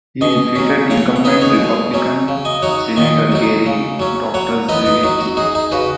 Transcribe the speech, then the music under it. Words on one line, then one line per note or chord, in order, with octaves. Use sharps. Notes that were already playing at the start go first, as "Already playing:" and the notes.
He defeated incumbent Republican Senator Gary Drzewiecki.
B2 D#5 G#5
F#3 C#4
C#3 C#5 F#5
F#5
B3 D#4 B4 D#5
G#4 C#5
B2
F#3 C#4
C#3
D#5 G#5
F#3 D#4 C#5 F#5
D#3 D#5 G#5
F#3 D#4
C#3
F#3 C#4
F#3 C#5 F#5
B3 D#4 B4 D#5
B4 D#5
F#3 D#4
F#4
D#4 G#4
D#4 G#4
C#3 F#4 B4